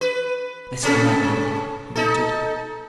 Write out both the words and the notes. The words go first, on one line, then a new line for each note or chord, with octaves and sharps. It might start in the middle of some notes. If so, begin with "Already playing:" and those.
"This'll never do," he muttered.
B4
C3 C#4 A4
D#4 A4